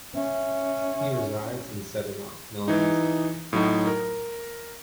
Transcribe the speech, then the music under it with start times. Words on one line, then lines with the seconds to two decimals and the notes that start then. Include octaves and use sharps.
He resides in Settimo Milanese, Italy.
0.15 C#4 E5
2.68 E3 D#4
3.53 A2 F#3 D#4
3.87 A#4